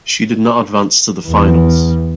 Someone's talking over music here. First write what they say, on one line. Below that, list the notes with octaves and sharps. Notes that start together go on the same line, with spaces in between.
She did not advance to the finals.
E2